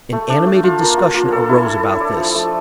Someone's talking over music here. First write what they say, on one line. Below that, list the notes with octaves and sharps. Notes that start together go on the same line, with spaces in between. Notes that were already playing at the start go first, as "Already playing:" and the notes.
An animated discussion arose about this.
A3
D4
A3
F4
A#3
F4
A#3
A4
E4
A4
E4
D5
F3
A3